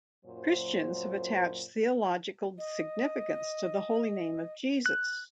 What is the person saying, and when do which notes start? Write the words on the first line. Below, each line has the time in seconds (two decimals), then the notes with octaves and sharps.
Christians have attached theological significance to the Holy Name of Jesus.
0.25 F#2 A#2 F#3 C5
2.58 D#5
4.86 F#6